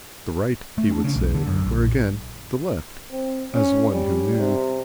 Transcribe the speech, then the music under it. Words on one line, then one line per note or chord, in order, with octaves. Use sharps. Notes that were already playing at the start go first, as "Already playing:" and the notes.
"The Right," he would say. Or again "The Left," as one who knew.
A3
D4
C#3
B1
D3
F#2
A#1
C4
C#4
G3
C3